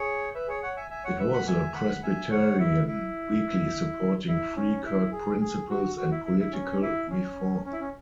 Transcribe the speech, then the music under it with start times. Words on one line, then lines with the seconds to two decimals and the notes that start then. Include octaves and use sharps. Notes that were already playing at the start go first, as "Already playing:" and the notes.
It was a Presbyterian weekly supporting Free Kirk principles and political reform.
Already playing: G#4 C#5
0.35 B4 E5
0.48 G#4 C#5
0.63 C#5 F#5
0.76 E5 G#5
0.90 E5 G#5
1.04 C#5 F#5
1.19 B4 E5
1.33 F#5 B5
1.47 E5 G#5
1.75 F#5 B5
2.03 E5 G#5
2.31 C#5 F#5
2.59 E4
2.87 E4
4.28 E4
4.56 C#4
4.85 E4
5.12 G#4
5.40 G#4
5.69 F#4
5.97 F#4
6.11 E4
6.25 E4
6.39 E4
6.52 C#4
6.82 E4
7.10 C#4
7.65 C#4
7.72 E4
7.80 C#4